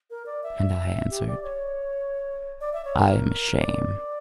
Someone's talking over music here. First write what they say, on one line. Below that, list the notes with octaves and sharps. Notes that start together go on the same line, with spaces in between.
And I answered: "I am ashamed."
A#4
D5
E5
G4
D5
C#5
D5
E5
C#5
A#4
D5